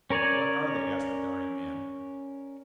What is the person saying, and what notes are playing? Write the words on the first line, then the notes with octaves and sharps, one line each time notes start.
"What are they?" asked the dying man.
C#4 A#4 C#5 D5 G#5